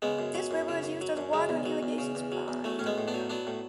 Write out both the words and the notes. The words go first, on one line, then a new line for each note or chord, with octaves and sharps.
This river is used as a water and irrigation supply.
C#3 G#3 B3
F#2
F#3
F#2
C#3
F#2
F#3
F#2
C#3 G#3
E2
F#3
E2
C#3
E2
F#3
E2
F#3 A3
A2 C#4
G#3 B3
A2
B3 D4
F#3
F#3 B3 D4
A2